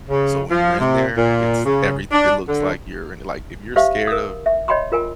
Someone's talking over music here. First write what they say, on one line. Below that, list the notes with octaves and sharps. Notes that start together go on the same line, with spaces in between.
So when you're in there, it's every It looks like you're in like, if you're scared of
C#3
F3
C3
A#2
C#3
D4
D3
G4 C5 E5 F5
A#4 D#6
E5
C#5 D#5 G5 B5 C6
F4 A#4 G5 G#5